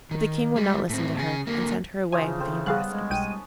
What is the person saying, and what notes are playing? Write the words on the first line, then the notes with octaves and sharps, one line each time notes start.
But the King would not listen to her, and sent her away with the ambassadors.
D#3
G3 G#3
A2 C4
C#3 G#4
D3 A#3
C#3 F3 D4 D#4 E5 G#5
C4 A4
G3 B3 C#4 G#4 F5 F#6
G#3
B1 G5 D#7